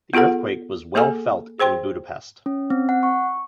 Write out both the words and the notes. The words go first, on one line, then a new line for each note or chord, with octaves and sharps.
The earthquake was well felt in Budapest.
B3 F4 G#4 A4 F#5
A#3 G#4 A4 G#5
G#4 C5 G5 C6
C#4
C4
F#5
C#6